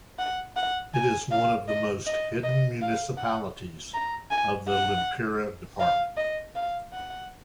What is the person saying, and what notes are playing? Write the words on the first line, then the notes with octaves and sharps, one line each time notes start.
It is one of the most hidden municipalities of the Lempira department.
F#5
F#5
G#5
F5
D#5
D#5
D#5
F5
F#5
A#5
G#5
F#5
F5
D#5
F5
F#5